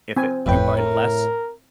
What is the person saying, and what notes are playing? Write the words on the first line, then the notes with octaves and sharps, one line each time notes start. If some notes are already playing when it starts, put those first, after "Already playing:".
if i you are less
C4 G#5
G1 F2 A2 B4 G5
A#4